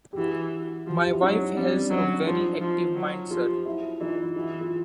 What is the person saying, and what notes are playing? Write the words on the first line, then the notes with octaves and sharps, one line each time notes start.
My wife has a very active mind, sir.
G4
E3 E4 F#4
F3 F#4
G4
E4 F#4
F#3 C#4 D#4
G3 C4 D4
D4
F#3 C#4 D#4
F3 D#4 F4
F3
F#3
F3 F4 G4
E4 F#4
E3 D#4 F4
E3 E4 F#4
F4